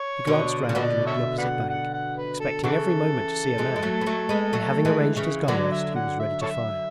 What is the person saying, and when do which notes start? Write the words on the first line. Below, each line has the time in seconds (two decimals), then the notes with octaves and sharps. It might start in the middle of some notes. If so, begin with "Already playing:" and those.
He glanced round and at the opposite bank, expecting every moment to see a man, and having arranged his gun-rest he was ready to fire.
Already playing: C#5
0.27 B2 D3
0.69 C#3
0.74 B2 D3 F#4 B4 D5
1.07 A4 C#5 E5
1.38 B4 D5 F#5
1.70 F#5
1.94 F#5
2.17 B4
2.40 A4
2.64 C#3 E3 D4 F#4 A4
3.58 E3 G#3
3.76 G#3
3.82 F#3 A3
4.01 B3
4.06 F#3 A3
4.29 G#3 B3
4.53 F#3 A3
4.85 E3 G#3
5.16 C#3 E3
5.48 D3 F#3 F#4 B4 D5
5.71 E5
5.96 F#5
6.19 E5
6.42 A4 C#5 E5